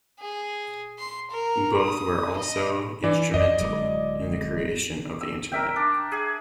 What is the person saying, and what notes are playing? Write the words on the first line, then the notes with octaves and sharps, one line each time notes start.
Both were also instrumental in the creation of the Internet.
G#4
C6
A#4
D#6
D#5
E3 D5
F2 D5 D#5
D1 F#3 G#3
E6
A#4 E5 G5
D4
G#4